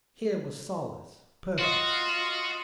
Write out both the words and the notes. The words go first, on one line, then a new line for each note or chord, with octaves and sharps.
Here was solace, purpose.
F4 F#4 D#5